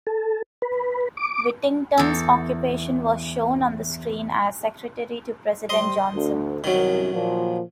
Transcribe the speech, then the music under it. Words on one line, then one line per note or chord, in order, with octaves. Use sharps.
Whittington's occupation was shown on the screen as Secretary to President Johnson.
A4
B4
D6
E2 A4
G3 C5 D#5 C6
D2
C2 F#2 D#3 F#3
A#2 F3